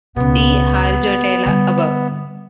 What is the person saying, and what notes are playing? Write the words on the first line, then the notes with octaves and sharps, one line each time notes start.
See harjoitella above.
C#2 B2 B3
D3 G3